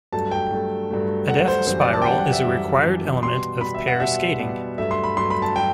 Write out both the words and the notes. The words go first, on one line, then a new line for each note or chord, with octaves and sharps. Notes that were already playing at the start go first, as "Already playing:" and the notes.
A death spiral is a required element of pair skating.
G2 F#3 A3 A5
G5
G2 F#3 A3
G2 F#3 A3
G2 F#3 A3 F#5
C5
F#2 E3 G3 C5
D5
A5
G5
F#2 E3 G3 F#5
F#5
E5
F#2 E3 G3
F#2 E3 G3
B2 G3 C6
B2 G3 B5
E5
F#5
B2 G3 E5
B2 G3
G2 F#3 A3 E5
C6
B5
G2 F#3 A3 C6
B5
A5
F#3 G5